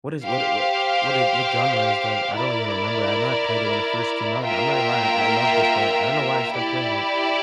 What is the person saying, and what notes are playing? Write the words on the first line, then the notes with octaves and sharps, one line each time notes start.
What is what what what is what genre is that? I don't even remember, I know I played it when it first came out, and I'm not gonna lie, I loved it, but I don't know why I stopped playing it.
G4 C5 F5
E4 A#4 D5
A#3 F4 A#4 E5 G5
E4 G4 D5